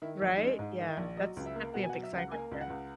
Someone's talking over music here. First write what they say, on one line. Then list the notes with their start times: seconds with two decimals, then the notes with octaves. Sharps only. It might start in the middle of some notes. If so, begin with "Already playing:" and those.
Right? Yeah, that's definitely a big sign right there.
0.02 D#3 E4
0.22 A#1
0.37 D#4
0.40 G#3 C#4
0.59 G#2 D#4
0.79 D#3
0.88 E4
0.97 A#1
1.17 F#3 D#5
1.37 C#2
1.46 E5
1.56 A#3
1.74 B2 F#5
1.83 G#5
1.89 F#5
1.94 F#3
2.03 E5
2.13 C#2
2.18 F#5
2.32 A#3 G#5
2.51 C#2
2.61 F#5
2.70 C#2